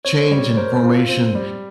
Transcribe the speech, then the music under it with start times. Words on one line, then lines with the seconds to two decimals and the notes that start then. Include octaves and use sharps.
change in formation
0.05 C4 C#5
0.23 C#5
0.31 G3
0.39 C#5
0.57 A#4 C5
0.83 F4
1.09 C4
1.35 G3